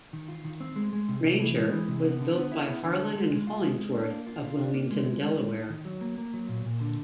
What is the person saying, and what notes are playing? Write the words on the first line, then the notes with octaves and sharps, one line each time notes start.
"Ranger" was built by Harlan and Hollingsworth of Wilmington, Delaware.
D#3
F4
D#3
C4
G#3
G#3
C3
C3
E3
G#3
E3
C3
B3
D3
B3
E4
B3
D3
A4
G#3
G#3
F4
G#3
G#3
D4
A#3
F4
F4
D4
A#3
G#3
G#3
G#3
G#3
D#4
D#3
F#3
A#3
A#3
F#3
A#2
A#2
D3